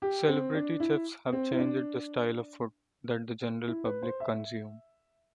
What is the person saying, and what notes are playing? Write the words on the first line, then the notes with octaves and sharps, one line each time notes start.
Celebrity chefs have changed the style of food that the general public consume.
G4
C4
D4
E4
C4
E4
D4
E4
B4
C5
E5